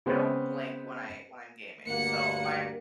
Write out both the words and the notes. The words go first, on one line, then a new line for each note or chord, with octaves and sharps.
I don't blink when I when I'm gaming, so, my Yeah.
C#3 G#3 B3 C4
D2 G2 A#3 F#5 C#7